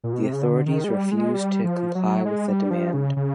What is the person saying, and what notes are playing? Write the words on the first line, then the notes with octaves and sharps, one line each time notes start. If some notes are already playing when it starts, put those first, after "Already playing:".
The authorities refuse to comply with the demand.
A#2
B2
C3
C#3
D3
D#3
G#3
G3
G#3
G3
F3
F#3
G#3
G3
F3
C#3
C#3